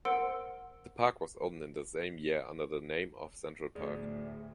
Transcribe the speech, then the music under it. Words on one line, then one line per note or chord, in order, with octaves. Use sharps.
The park was opened in the same year under the name of Central Park.
A#4 C5 F#5 C6 E6 D7
D2 A2 G#4 D5